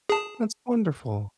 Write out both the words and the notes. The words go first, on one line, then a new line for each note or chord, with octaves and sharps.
That's wonderful.
G#4 A5